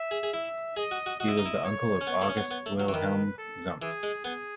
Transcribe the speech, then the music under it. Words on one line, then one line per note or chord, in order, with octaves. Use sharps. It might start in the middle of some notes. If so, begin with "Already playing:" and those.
He was the uncle of August Wilhelm Zumpt.
Already playing: E5
G#4
G#4
E4 E5
G#4 D#5
F#4
F#4
F#4 D#5
E4
D#4
E4
C#5
C#4
B3
A3
C#4
B3
B3
A3
F#3
E3
D#3 B4
A4
E3 G#4
G#3
B3 G#4